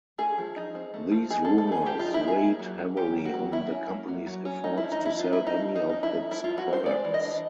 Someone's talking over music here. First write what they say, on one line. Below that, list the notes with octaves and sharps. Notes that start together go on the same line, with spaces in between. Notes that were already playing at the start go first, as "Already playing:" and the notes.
These rumors weighed heavily on the company's efforts to sell any of its products.
A3 G#4
F3
D#4
C4
A3
F3
D#4 G#4
C4 A4
A4
A3 G#4
F3 G4
D#4 F4
E4
C4 G#4
A#3
F#3
F#3
C#4 G4
A#3
F#4
F#3
F#3 E4
C#4
A#3
F#3
F#3
C#4
A3 D#4
E4
F3
D#4
F3 E4
C4 F4
E4
A3
D#4
F3
F3 D#4
C4 D#4
E4
A3
F3 E4
F3 F4
F#4
C4
C5
G#3 D5
E3
D#5
D4